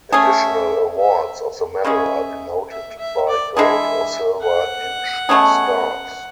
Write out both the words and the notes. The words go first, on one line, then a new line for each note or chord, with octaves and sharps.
Additional awards of the medal are denoted by gold or silver inch stars.
A3 C#4 G#4 E5
E5
C#3 G#3 C#4 G#4 E5
E5
E5
D5
E3 G#3 D4 G#4 E5
F#5
B2 A3 C#4 G#4